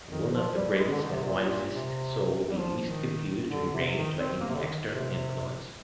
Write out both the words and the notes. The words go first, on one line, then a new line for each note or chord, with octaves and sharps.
And will not the bravest and wisest soul be least confused or deranged by any external influence?
D#3
F3
G3
G3
G#3
D3
D#3
C3
A#2
A#2
C3
G3
F3
D#3
D3
C3
D#3
C4
A#3
C3
D3
D#3
C3